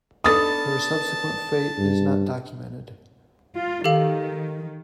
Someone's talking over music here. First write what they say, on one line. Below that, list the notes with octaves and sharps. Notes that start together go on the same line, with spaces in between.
Her subsequent fate is not documented.
B3 D4 A4 A5 D#6 A6
G2
F4
D#3 G4 A4 F5